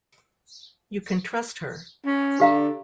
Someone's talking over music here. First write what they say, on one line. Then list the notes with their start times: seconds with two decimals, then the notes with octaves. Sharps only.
You can trust her.
2.05 C#4
2.40 D3 G4 F5 A#5